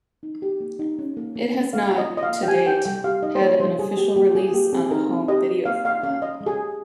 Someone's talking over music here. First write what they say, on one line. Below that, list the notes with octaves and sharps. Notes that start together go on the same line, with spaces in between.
It has not, to date, had an official release on a home video format.
D#4
G4
A#3
D#4
C#4
A#3
A#3
C#4
A#3 F5
F4
D#5
F4
D#5
F5
A#3
G5
G4 G#5
G4 G5
G3 G5
G4 F5
D#4 D#5
C5
A#3 C#5
G3 C5
G3 G#4
A#3 G4
A#3 G4
F4 G#4
A#3 G4
C4 G#4
D#4 A#4
C4
G4 D#5
G4
A#3 F5
A#3 F5
C#4 F5
C#4 D#5
G#3
G#4
G4